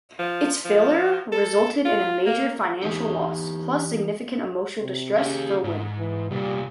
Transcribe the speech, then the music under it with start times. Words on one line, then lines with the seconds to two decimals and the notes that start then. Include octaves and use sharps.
Its failure resulted in a major financial loss, plus significant emotional distress, for Wynn.
0.19 F3
0.65 F3
1.32 A4
1.85 F4
2.26 A#3
2.82 E3 D#4 G4
4.81 C3
5.16 C#3 A#3 G4
5.64 G#2
5.98 E3
6.31 C2 A#2 G3